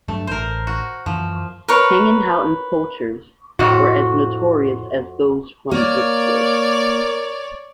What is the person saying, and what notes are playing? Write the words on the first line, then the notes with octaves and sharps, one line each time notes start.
Hanging Houghton's poachers were as notorious as those from Brixworth.
G2 F#3 A3 D4
A1 A#4 C5
F#4
F#2 E3 F3
A#4 B4 C#5
F2 A2 F#4
A#3 A#4 C#5 D5